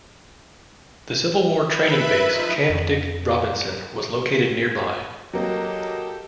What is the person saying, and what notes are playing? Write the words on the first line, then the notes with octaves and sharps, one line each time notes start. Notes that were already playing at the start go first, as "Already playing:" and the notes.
The Civil War training base Camp Dick Robinson was located nearby.
B4 E5 B5
F3 D#4 F4 D#5
F2
F#3 A#3 G4 A4 D#5